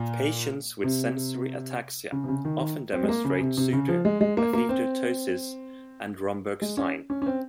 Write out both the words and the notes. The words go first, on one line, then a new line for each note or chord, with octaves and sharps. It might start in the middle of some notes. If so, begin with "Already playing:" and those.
Patients with sensory ataxia often demonstrate pseudoathetosis and Romberg's sign.
Already playing: A#2
C3
C#3
C3
C#3
D#3
D#3
C4
G#3
A#3
C#3
C3
C3
C#3
F3
G#3
G#3
A#3
A#3
C4
G#3
C#4
C#4
C#4
C4